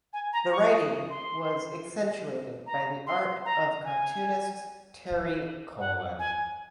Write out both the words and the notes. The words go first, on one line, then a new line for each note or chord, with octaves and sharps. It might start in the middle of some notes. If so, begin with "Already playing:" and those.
The writing was accentuated by the art of cartoonist Terry Colon.
G#5
A#5
C#6
D#6
C6
A#5
C6
A#5
G#5
F#5
G#5